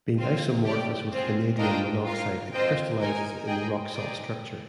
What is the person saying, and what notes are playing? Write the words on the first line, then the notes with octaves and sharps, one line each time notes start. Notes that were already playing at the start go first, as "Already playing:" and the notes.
Being isomorphous with vanadium monoxide, it crystallizes in the rock salt structure.
C4 F4 C5
G4 D5 G5
C4 F4 G#4
D4 F4 A#4 D#5 G5
F4 A#4 F5
C4 F4 C5 D#5 G5
D#4 A#4 D#5 G#5
G#4 D#5 G5
D#4 G#4 D5 G5